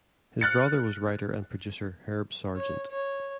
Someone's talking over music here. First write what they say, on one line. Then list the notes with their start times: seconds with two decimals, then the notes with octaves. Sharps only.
His brother was writer and producer Herb Sargent.
0.41 F6 F#6 A6 C#7
2.57 C#5
2.92 C#5